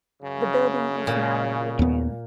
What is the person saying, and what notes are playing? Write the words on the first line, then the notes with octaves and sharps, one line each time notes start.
The building is now The Atrium.
F#2 C#3
A#2
D#2 B3